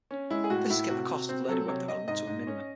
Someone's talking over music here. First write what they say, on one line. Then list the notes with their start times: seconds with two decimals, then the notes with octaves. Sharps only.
This has kept the cost of learning web development to a minimum.
0.11 C#4
0.30 G#3 E4
0.44 G#4
0.50 A2 F#4
0.70 A2 E4
0.90 C3 F#4
1.09 C3
1.29 C4
1.49 F#3 A4
1.68 C3 C#5
1.88 C3 D#5
2.08 G#2 D#5
2.27 G#2
2.47 C#4